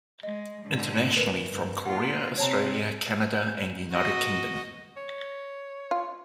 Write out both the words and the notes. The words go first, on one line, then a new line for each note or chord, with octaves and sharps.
Internationally from Korea, Australia, Canada and United Kingdom.
G#3 D#5
G#2 D3
A#4 B4
G2
A#3 F4 F#5
C3 C4 C#5 A5 A#5
F#4 D#5
C#5
F4